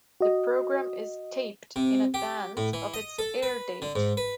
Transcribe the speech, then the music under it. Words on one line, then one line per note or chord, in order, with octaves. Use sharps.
The program is taped in advance of its airdate.
F#4 D#5
C3
G4
A2
E3
D#5
A4
B4
D3
G#2
B4